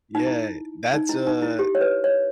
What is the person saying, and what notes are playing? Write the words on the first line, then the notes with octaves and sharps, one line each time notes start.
Yeah. That's a
D#4
E4
D#4
E4
D#4
E4
G4
C#5
B4
C#5